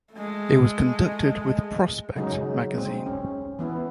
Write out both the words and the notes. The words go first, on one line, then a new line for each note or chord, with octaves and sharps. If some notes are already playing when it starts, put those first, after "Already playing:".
It was conducted with "Prospect" magazine.
G#3 A3
C#3 F#3 G#3 D#4
G#3 C4
C#4
E3 B3 E4